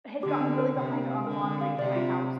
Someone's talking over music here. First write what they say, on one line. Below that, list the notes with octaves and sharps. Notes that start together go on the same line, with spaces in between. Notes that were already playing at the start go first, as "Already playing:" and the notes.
had gotten really behind on laundry in my house
D3 G4
C4
A#4
C3 A#4
D4
F5
D3 A#4
C4
F5
C3 D5
F4
G5